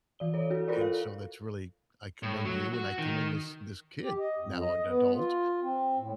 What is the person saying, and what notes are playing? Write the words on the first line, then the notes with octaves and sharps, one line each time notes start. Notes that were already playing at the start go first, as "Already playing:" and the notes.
and and so that's really I commend you and I commend this this kid, now an adult,
E3 D5 G7
A4 C#5 D5
E4 F#4 A4
F4 A4 A#4 C5 D5
F5
A2
F#3
F#4
D#3
G4
D#5
F2
D#5
B3
F4
C4
A2